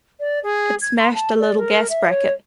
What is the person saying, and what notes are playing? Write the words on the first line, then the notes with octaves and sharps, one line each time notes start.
It smashed a little gas bracket.
D5
G#4
G#6
C6
A5
D5
A#4
E5
C#5